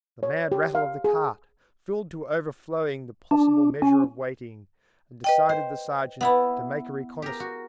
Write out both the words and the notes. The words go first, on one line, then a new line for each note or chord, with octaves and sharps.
The mad rattle of the cart, filled to overflowing the possible measure of waiting, and decided the sergeant to make a reconnaisance.
C#5
G4
F5
G#4
D4
C#4
B4 D#5 G5
C5
B3 E4 F#5 A5 B5
G4 G#4 A#4
F#4